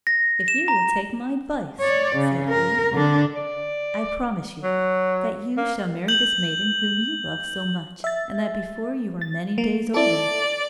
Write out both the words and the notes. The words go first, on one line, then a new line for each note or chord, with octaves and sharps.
'If you will take my advice,' said he, 'I promise you that you shall marry this maiden whom you love so much, and that before you are many days older.'
A#6
E7
A#5
C#5 D5
C#3
A#4
D3 D4
D5
F#3
A#3
G6 F#7
E5 A6
A6
A#3
E4 A4 D5